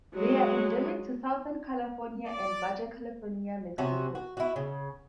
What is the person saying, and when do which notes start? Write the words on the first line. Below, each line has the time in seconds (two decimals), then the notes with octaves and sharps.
They are endemic to southern California and Baja California, Mexico.
0.14 F#3 G#3
2.25 D5
3.78 C3 C#4 F#4
4.15 F#4
4.37 E4 F#4
4.56 C#3